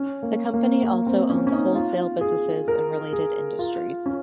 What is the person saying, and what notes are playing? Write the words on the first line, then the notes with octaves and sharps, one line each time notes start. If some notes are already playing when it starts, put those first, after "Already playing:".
The company also owns wholesale businesses in related industries.
Already playing: C#4
A#3
A#3
A#3
C4
C#4
C#4
D#4
F4
G#4
A#4
G#4
F4
C#4